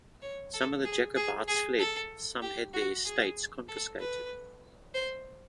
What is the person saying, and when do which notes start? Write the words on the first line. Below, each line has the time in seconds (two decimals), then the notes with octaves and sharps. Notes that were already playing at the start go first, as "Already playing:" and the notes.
Some of the Jacobites fled; some had their estates confiscated.
0.22 C#5
0.54 A4
0.85 G#4
1.16 G#4
1.48 G#4
1.79 A4
2.42 G4
2.74 F#4
3.05 G#4
3.68 A4
3.99 B4
4.94 C5